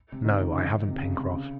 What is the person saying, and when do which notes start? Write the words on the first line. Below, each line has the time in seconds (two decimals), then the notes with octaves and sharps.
"No, I haven't, Pencroft."
0.12 C3
0.24 D#3
0.30 C#3
0.42 D#3
0.53 C#3
0.65 D#3
0.89 C3
0.99 C#3
1.17 C3
1.34 C#3